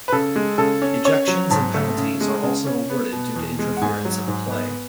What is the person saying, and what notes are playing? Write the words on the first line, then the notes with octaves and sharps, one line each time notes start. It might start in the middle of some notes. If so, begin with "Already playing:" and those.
Ejections and penalties are also awarded due to interference of a play.
B4
C#3 A4
G#3
C#3 A4
C#4
C#4 C#5
F#3
G#2 A5
A3
C#3
G#3
C#3
C#4
B3
B2
E2
G#3
F#5
G#2 G#5
F#3
G#2
B3